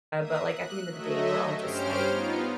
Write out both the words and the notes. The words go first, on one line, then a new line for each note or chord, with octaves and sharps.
but, like, at the end of the day, we're all just, like,
A#3 E5 D#6
F#6
F#3 A3 D#5 E5
G2 C#4 G4 C5 F6 D7
B3 D#4 F4